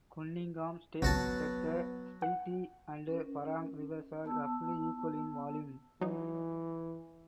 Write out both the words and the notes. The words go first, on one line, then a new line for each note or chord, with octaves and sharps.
Cunningham states that the Spiti and Parang rivers are roughly equal in volume.
G#1 C#2 F#3 B3 F#4 A5
F#5
C#4 A#4
B3 A5 E6
E3 F#3 D#4